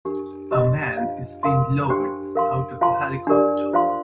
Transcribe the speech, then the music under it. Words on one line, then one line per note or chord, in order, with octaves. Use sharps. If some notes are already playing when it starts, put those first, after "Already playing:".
A man is being lowered out of a helicopter.
D4 G4 A#4
G4 C5 D#5 A5 C6
D4 F4 C5 F5
A#4 F5 A5 C6
D4 G4 C5 G5 C6
A#4 F5 C6
F4 C5 F5 A5 C6
D4 G4 A#4 D5
F4 C5 F5 C6